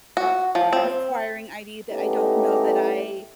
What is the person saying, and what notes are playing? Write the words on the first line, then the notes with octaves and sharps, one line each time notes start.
requiring ID that I don't know that I
F#4
F3
C4
A3 B3 C#4 D#4 E4 G4